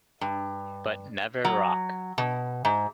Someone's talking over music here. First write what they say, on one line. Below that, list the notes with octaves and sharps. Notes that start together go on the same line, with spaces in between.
But never rock.
G2
F#3
B2
G#2